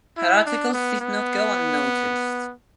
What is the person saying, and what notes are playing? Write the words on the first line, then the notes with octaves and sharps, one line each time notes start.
Her articles did not go unnoticed.
E4
D4
B3
B3